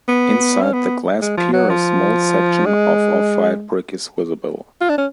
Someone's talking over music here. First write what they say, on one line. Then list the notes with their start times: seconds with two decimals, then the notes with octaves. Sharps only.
Inside the glass pier a small section of off white brick is visible.
0.09 B3
0.62 C#4
0.73 B3
1.22 G#3
1.38 F3
1.53 F#3
1.70 F3
2.66 G#3
4.81 F4
4.89 D4
4.98 C#4